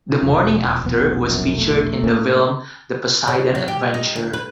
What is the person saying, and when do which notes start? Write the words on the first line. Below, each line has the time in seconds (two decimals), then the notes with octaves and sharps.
"The Morning After" was featured in the film "The Poseidon Adventure".
0.23 E1 F2
0.83 E1 A#1 B3
1.27 F#2
1.57 A3
2.03 A2 A#3 C#4
3.28 C#3
3.55 F#3
3.68 G4
3.94 D#4
4.16 D2
4.33 B4